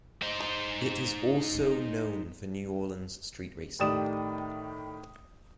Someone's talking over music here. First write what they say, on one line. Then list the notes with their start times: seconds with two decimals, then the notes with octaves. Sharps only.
It is also known for New Orleans street racing.
0.22 D#4 C5
3.79 A2 D#3 G4 D5 D#6 E7